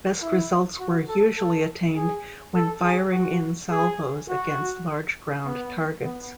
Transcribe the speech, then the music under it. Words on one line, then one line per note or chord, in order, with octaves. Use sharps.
Best results were usually attained when firing in salvos against large ground targets.
E4
F#4
A4
A4
G#4
A4
G#4
F#4
G#4
F#4
B3
B3